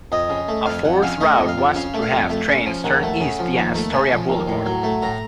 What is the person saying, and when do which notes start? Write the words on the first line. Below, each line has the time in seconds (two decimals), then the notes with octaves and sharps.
A fourth route was to have trains turn east via Astoria Boulevard.
0.12 F2 D#5
0.30 C#3
0.48 A3
0.66 F2 F5
0.84 F2 F#5
1.02 C#3 F5
1.20 A3 D#5
1.38 F2
1.48 F5
1.58 F2
1.75 C#3 F5
1.94 A3
2.02 F5
2.12 F2
2.29 A3
2.48 C#3
2.66 F3
2.84 D#2 F#5
3.03 A3
3.20 C#3
3.39 F3
3.57 D#2
3.74 A3
3.93 C#3 A5
4.11 F3
4.29 D#2
4.47 A2
4.66 F#3
4.83 A3
5.02 A2 A#5